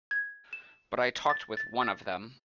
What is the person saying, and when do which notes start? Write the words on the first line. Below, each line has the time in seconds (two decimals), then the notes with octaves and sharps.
But I talked with one of them.
0.11 G#6
0.53 E7
1.30 A6
1.57 A6
1.81 A6